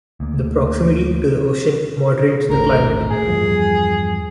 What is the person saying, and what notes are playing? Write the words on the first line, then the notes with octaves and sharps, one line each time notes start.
The proximity to the ocean moderates the climate.
D2 A#3
G#1 D2 A#4
A2 G#4
E2 G2 F3